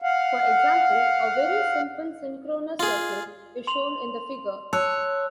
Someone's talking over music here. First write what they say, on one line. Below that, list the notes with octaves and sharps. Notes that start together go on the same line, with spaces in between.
For example, a very simple synchronous circuit is shown in the figure.
F5 F#5
F4 G#4
C6 F7 F#7
C#5 A5 E6 F#6